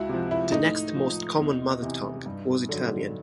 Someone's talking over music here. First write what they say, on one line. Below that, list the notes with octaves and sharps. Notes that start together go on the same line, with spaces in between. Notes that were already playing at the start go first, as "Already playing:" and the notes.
The next most common mother tongue was Italian.
Already playing: C#2 E4 F#4
C3 F3
E4
A2 D#4
F3
E2
C3 E3
G2
D3 F#3